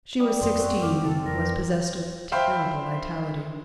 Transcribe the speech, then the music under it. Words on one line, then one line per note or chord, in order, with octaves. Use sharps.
She was sixteen, and was possessed of terrible vitality.
G3 D#6
F1 F#2 F#3 C6
C4 F#4
F5 D6
C#3 A4
F2 A#4
C5 E5 F5 G5 B5 C6